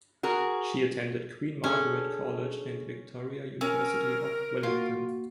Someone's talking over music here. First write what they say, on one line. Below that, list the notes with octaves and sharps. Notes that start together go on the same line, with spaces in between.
She attended Queen Margaret College and Victoria University of Wellington.
F#4 G#4 A#4
C#4 D4 G#4 A4
C#4 A#4 E6
A#3 F4 F#4